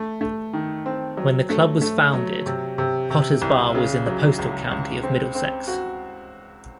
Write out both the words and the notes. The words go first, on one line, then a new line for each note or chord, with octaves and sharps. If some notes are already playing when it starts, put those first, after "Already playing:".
When the club was founded, Potters Bar was in the postal county of Middlesex.
Already playing: A3
A3
D#3
C4
F#3
A3
A3
F#3
C3
C3
C3
C2
C#3
F#3
C#2
C#2
C4
C4
F#4